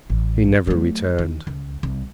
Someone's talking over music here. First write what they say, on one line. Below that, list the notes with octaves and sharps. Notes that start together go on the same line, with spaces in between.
He never returned.
A1
F#3 A3
D#3
C#2
C2